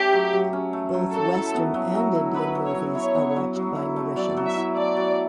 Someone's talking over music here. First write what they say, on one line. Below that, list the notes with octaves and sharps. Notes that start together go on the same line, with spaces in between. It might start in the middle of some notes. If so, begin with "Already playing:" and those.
Both Western and Indian movies are watched by Mauritians.
Already playing: A3 C#4 G4
F#3
F#3
C#4
A3
F#3
F#3 A4
E4
B3
F#3
F#3
E4
B3 B4
F#3
C#5
F#3
E4 C#5
B3
F#3
F#3
E4
A3
F#3 D5
F#3
E5
E4
A3 D5
F#3